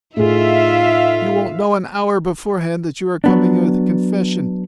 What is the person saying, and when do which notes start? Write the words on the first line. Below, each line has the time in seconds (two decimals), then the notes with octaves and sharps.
You won't know an hour beforehand that you are coming with a confession.
0.17 A2 D#4 F4 G#4 E5 F5
3.24 F#3 B3 D4